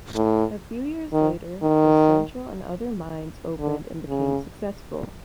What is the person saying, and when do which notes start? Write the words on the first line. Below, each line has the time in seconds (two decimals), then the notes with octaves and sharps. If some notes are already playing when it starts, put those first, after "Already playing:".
A few years later, the Central and other mines opened and became successful.
0.15 A2
1.13 D#3
1.62 D#3
3.59 D3
4.09 C#3